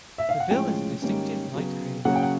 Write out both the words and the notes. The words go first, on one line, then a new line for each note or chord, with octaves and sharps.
The bill is a distinctive light green.
E5
F5
F#5
A2 F3 G#3 C#4 G5
G#2 D#3 G3 A#3 C#4
C#3 F#3 B3
C#3 F#3 A#3 C#4 F#5
G5
F#5